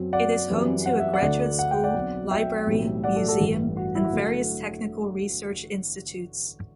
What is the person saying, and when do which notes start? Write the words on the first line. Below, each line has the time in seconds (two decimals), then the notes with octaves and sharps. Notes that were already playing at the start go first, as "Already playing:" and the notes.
It is home to a graduate school, library, museum, and various technical research institutes.
Already playing: F#2 F#3 C4
0.13 D5 F#5
0.49 F#2 E3 G3 C4
0.86 F#5
1.00 E5
1.14 D5 F#5
1.22 D2 D3 A3 D4
1.59 F#5
1.71 G5
1.84 D5 F#5
1.95 B1 B2 F#3 C4
2.31 E5 G5
2.67 B1 A2 E3 G3 C4
3.04 D5 F#5
3.16 F#4 A4
3.28 F#4 A4
3.40 A1 G2 E3
3.77 F#4
3.95 E4
4.05 F#4
4.13 D3 F#3 A3